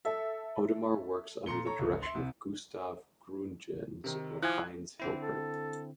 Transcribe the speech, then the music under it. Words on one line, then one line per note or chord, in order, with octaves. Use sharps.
Odemar works under the direction of Gustav Gründgens or Heinz Hilpert.
A4 E5
A#2 A#5 C6 C#7 G7
A4 C#5 A#5 C#6
G1 C#2
E5 C6
C2 C3
C3 D#3
F3 E4 G#5 F#6 G#6
D3 C4 E4
A4